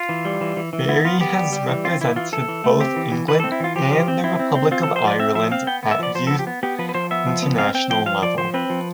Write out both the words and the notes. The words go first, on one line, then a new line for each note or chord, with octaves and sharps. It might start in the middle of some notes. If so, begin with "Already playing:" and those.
Barry has represented both England and the Republic of Ireland at youth international level.
Already playing: F4
E3
G3
E3
E3
E3
B3 E4
B3 F4
B3 G4
G3
G3
E3
C4 F4
E3 E4
E3 F4
E3 A4
E3
A3
C4 G4
E3
E3
E3 B4
A4
C4
E4
E3 F4
F3 G4
F3
C4
C4 E4
C4
C4
C4 F4
A4
F3
C5
F3 D5
C4 E5
F3 E5
C4 F5
B3 G5
B3
E5
F3 D5
F3 C5
A4
B3
G4
B3
B3 G4
F3 B4
B4
F3 C5
B3 E5
F3
B3
C4 F5
C4 G5
F3 G5
F3 F5
F3 D5
F3 C5
C4 B4
F3